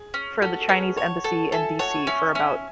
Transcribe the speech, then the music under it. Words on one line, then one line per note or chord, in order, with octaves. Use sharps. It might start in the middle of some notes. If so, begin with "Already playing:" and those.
for the Chinese embassy in DC for about
Already playing: G#4
C#4
C#4 F#4 A4
A4
C#4 G#4 B4
C#5 F#5 A5
A4 F#5 A5
A4 E5 G#5
C#5 F#5 A5
C#4 E5 G#5
C#4 E5 G#5